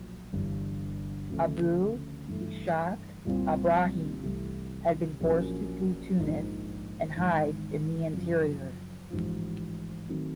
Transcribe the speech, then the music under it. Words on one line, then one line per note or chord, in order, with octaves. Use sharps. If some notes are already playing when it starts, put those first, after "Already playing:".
Abu Ishaq Ibrahim had been forced to flee Tunis and hide in the interior.
Already playing: B1 A#2 F3
G1 G2 E3
D2 C#3 F3 A3
G2 E3 A3
C2 A#2 G3 C4 F4
C2 C3 E3 A3
A#1 A#2 F#3 A#3 C#4
A#1 G#2 F3 A#3 D#4
G#1 G#2 E3
F#2 C#3 F3
A1 G#2 F3
D#3 F#3 A3 C4